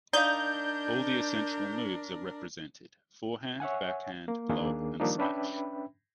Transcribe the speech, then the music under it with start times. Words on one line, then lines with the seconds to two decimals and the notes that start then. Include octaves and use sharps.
All the essential moves are represented: forehand, backhand, lob, and smash.
0.13 D4 D#4 A#4 D5 F5 G6
3.60 C#5 E5 F#5 G#5
4.28 A#3
4.49 D#2 D#3 A#3 D4 G#4
5.00 D#3 F3 G3 A#3 D4 D#4
5.18 C#4 D4 B4 E5 G5 B5